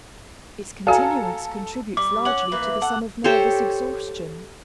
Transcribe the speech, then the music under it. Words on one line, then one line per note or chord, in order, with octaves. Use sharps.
Its continuance contributes largely to the sum of nervous exhaustion.
F#4 A4 D5 F5 G#5 A#5
G3 D6
C#4 C#5 F#5 F#7
E3 A#3 B4
A4 F#5
G4 A4 C5 C#5